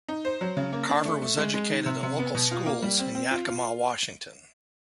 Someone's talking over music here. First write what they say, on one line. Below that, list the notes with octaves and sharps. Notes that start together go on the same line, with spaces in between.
Carver was educated at local schools in Yakima, Washington.
D#4
C5
F#3
C#3
A#3
D4
A3
A3
G#3
G#3
D#3
C3
C3
B3
B2
F4
A#3
G3
C4
C4
F4
F4